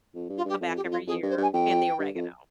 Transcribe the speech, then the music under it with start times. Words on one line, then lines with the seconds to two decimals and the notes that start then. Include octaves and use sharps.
come back every year, and the oregano,
0.15 F2
0.29 G2
0.37 F4
0.45 G2 G4
0.61 F2
0.76 G4
0.84 F2
0.91 F4
1.07 F2 G#4
1.23 G2
1.30 C5
1.37 G2 G#5
1.53 F2 G5
1.99 G2
2.15 F2